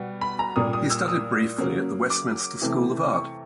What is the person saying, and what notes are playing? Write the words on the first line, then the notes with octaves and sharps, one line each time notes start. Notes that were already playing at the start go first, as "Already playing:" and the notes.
He studied briefly at the Westminster School of Art.
Already playing: B2 G3 B3
B5
A#5
A#2 G3 A#3 D#6
D#6
E6
D#6
C#3 F#3 A#3
D6
C3 E3 A3
C#6